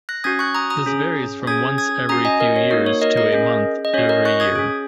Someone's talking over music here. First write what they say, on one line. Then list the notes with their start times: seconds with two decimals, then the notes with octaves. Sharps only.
This varies from once every few years to a month every year.
0.09 F#6 A#6
0.24 C#4 F#4 D#6 G#6
0.39 C#6 F#6
0.55 A#5 D#6
0.70 A#5 D#6
0.86 C#4 G#4
1.47 C#4 G#4 D#6 G#6
1.78 D#6 G#6
2.09 C#4 F#4 A#5 D#6
2.25 D#5 G#5
2.40 A#4 D#5
2.56 C#5
2.70 A#3 D#4 F#4 A#4
2.86 C#5
3.02 A#4 D#5
3.17 A#4 D#5
3.32 C#4 G#4
3.85 D#5
3.94 C#4 F#4 C#5
4.09 A#4 D#5
4.25 C#6 F#6
4.40 D#6 G#6
4.55 C#4 G#4